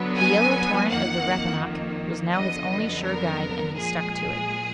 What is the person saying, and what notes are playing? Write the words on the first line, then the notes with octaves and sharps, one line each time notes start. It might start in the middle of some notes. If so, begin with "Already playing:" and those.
The yellow torrent of the Rappahannock was now his only sure guide and he stuck to it.
Already playing: D3 F#3 B3
G#5
F2 D#3 A#3 F#5
F2 D3 F#3 B3 D#5
A#4
A#2 F3 G#3 G#4